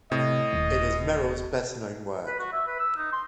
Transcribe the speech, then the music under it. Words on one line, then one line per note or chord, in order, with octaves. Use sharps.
It is Merrill's best known work.
A2 C3 D#5
D#1
B4
F#4
E5
B4
E6
D#4
C6